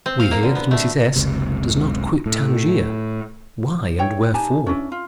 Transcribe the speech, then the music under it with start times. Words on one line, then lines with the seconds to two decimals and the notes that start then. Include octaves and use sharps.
We hear that Mrs. S. does not quit Tangier: why and wherefore?
0.06 C4
0.20 F5
0.31 A#3
0.43 D3
0.55 B3
0.71 A3
1.16 F#1 C#2 C3
2.26 A2
3.98 E4 C#5 G5
4.34 D#4 G4 G#5 A5
4.66 C#4 D4 E4
4.92 F4